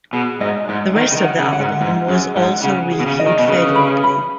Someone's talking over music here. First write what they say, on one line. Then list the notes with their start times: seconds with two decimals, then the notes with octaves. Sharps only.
The rest of the album was also reviewed favourably.
0.12 B2 G#4
0.41 G#2 D#5
0.69 G#2 D#5
0.96 D#3 D#5
1.11 C#3
1.17 D#3
1.24 F#5
1.39 C#3
1.53 F#5
1.59 G#2
1.81 G#2 F#5
2.08 F#2 G#4
2.36 G#2 F#5
2.63 C#3 F#5
2.91 G#4
3.00 B2
3.06 C#3
3.19 D#5
3.26 D#3
3.39 B2
3.48 C#3 B4
3.75 B5
4.04 B5